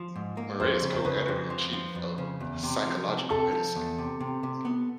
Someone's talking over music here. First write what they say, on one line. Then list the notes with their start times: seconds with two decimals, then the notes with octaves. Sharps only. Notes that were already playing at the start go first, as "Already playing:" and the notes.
Murray is co-editor-in-chief of "Psychological Medicine".
Already playing: F3
0.16 G#2
0.37 A#3
0.60 F2 C5
0.82 C#3
0.93 C5
1.05 C#3 B4
1.28 F2
1.50 F3
1.73 F3
1.95 F2
2.18 C#3
2.40 E2
2.63 C3
2.86 F3
3.08 C3
3.30 C3 A4
3.53 F3
3.75 E2
3.98 C3
4.20 C3
4.43 C3
4.65 B3